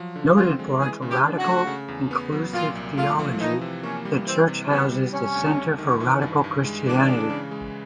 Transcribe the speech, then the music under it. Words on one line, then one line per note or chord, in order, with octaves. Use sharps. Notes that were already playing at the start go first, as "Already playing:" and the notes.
Noted for its radical, inclusive theology, the church houses the Centre for Radical Christianity.
Already playing: F3 F#3
D3
C4 F4
G#3
E3 G#4
C#3
G4
D4
F#4
A3
C#3
E2
B3
F#3
A#2 F4
C2
A3 F4
F3
E3 D#4
C3
A#3 C#4
G3
E3 C4
C3
C3 B3
G3
C3 C#4
D2
D2
D#3
E3
G2
G2
G#3
E3 D4
C#3
C#3
G#3